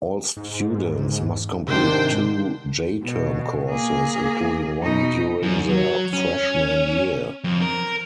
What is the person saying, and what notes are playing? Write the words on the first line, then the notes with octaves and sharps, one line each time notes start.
All students must complete two J-Term courses, including one during their freshman year.
G#2
G#2 C3 D#3 D4 C5 G5
B2
A#3 G#4
B2 D#4
F#2
F#3
C#4
F2
A#4